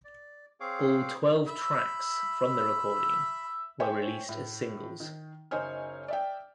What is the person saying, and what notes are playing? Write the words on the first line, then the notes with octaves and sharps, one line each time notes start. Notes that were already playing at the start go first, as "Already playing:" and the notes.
All twelve tracks from the recording were released as singles.
D5
C4 G#4 C#5 F5 D6
E5 B5 E6
C5 C#5 E5 G5 G#5
A2
D#3
F#1 D#4 C5 C#5 G#5 F6
D5 E5 G5